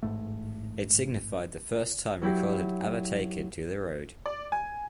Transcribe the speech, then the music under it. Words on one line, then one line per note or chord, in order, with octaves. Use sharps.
It signified the first time Recoil had ever taken to the road.
A1 G#2 A3
F#3 E4 G4
D5
G#5